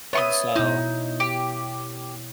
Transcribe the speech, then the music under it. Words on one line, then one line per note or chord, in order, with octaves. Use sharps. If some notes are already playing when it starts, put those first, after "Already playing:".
And so,
B3 C#5 E5 C#6 D#6
B2 D#4 E4
G4